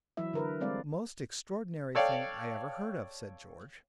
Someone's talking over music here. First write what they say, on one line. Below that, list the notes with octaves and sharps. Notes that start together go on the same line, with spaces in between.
"Most extraordinary thing I ever heard of," said George.
E3 F#3 E4 E5
D3 A#4 B4
G3 G#3 C4 D5 F5
A4 C#5 D5 F5 G5